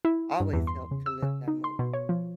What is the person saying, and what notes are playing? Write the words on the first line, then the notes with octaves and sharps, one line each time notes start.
always help to lift our mood.
E4
G2
E2
C6
C#3
E6
C#3
D#4
C6
B2
C#5
F3